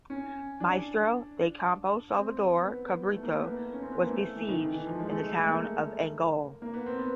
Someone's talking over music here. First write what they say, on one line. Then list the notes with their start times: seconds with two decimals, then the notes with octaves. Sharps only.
Maestre de campo Salvador Cabrito was besieged in the town of Angol.
0.10 C#4
0.60 D4
2.11 C4
2.60 B3
3.11 A3
3.23 A#3
3.36 B3
3.48 A#3
3.73 C#4
3.82 C4
3.92 B3
4.01 A#3
4.10 A3
4.36 E3
4.48 D#3
4.61 D#3
4.73 E3
4.87 F3
4.99 G#3
5.11 A3
5.23 G#3
5.37 A3
5.48 A#3
6.62 A#3
6.74 B3
6.86 C4
6.99 B3